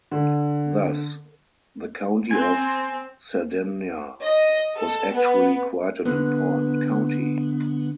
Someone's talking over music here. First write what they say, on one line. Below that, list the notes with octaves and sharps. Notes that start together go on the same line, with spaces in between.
Thus, the county of Cerdanya was actually quite an important county.
D3
C4 G#5
D#5
A4
B3
D3 B3